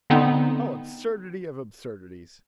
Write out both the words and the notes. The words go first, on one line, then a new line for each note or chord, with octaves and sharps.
Oh, absurdity of absurdities!
D3 B3 C4 D#4